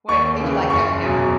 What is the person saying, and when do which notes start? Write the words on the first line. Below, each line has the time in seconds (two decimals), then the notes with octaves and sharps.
What did you like Dumb and Dumber?
0.09 D#2 C#6
0.40 C#3 E3
0.70 F#1 C#6
1.00 E2 B2 F#3